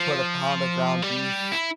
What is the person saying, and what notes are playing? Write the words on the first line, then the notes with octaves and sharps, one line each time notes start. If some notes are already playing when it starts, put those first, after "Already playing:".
put a pound of ground beef
Already playing: F3
G3
E4